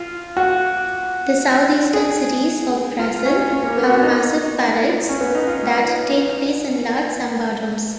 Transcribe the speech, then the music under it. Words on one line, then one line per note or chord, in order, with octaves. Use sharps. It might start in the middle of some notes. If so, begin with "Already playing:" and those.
The southeastern cities of Brazil have massive parades that take place in large "sambadromes".
Already playing: F4
F#4
G#4
F4
C#4
C#4
A#3
B3
F#4
D#4
C#4
B3
D#4
F4